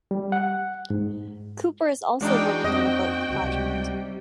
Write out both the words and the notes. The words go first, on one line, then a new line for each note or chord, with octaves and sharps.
Cooper is also working on a book project.
G3
F#5
G#2
E2 G#3 D4 D#4 F#4 G5
F2 C4 D#5
C#2 C3 G3